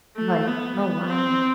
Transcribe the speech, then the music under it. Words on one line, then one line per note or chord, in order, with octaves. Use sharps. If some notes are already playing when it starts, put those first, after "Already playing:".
Right. Oh, wow.
A3
B3
B3
C4